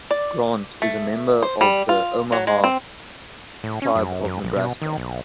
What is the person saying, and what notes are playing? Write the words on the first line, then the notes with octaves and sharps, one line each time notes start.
Grant is a member of the Omaha tribe of Nebraska.
D5
A3
C5
G3
F4
F#3
G#3
C4
A2
C#4
F#2
F#2
A#1
B2
D#3
B1